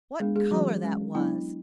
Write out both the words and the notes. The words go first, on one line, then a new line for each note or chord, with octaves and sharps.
What colour that was!
G#3 B3 D4 G#4
G#3 G#4
E3 F#3 A3 C#4 F#4
G#3 C#4
F#3 B3 D4 E4